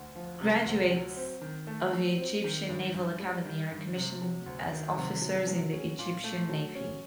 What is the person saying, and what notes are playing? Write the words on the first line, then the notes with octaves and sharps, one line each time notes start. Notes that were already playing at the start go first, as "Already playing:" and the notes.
Graduates of the Egyptian Naval Academy are commissioned as officers in the Egyptian Navy.
Already playing: D2
F3
C3
D2
F#3
C4
D#3
A3
F#3
C4
D#3
G2
G2
G3
D#3
G2
C3
F#3
D2
D#3
C3
F#3
F#3
C#4
A#2
A3
F#3
C#4